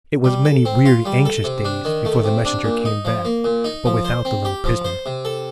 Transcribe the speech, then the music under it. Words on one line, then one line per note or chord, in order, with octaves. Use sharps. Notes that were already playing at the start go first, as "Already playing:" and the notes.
It was many weary anxious days before the messenger came back, but without the little prisoner.
G3
A4
C4
F4
G3
A4
C3
D4
D#3
A3
C3
D4
A#2
D#4
F3
A#3
A#2
D#4
F3
C5
C4
G4
F3
C5
C3
A4